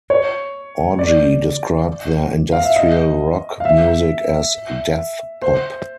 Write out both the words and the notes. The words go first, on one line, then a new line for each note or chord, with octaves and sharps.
Orgy described their industrial rock music as "death pop".
C#5
D5
F5
E5
D#5
F5
E5
C5